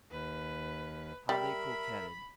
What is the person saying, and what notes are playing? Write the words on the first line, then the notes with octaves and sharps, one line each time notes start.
How they coquetted!
D#2 B4
G3 A#4 E5 B5